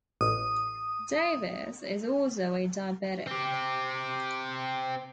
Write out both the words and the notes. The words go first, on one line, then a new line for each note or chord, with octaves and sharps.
Davis is also a diabetic.
A1 D#6
C4 G4